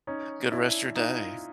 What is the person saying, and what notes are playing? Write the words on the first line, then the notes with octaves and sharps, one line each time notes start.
good rest of your day.
C#4 D#4
D4 E4
D#4 F4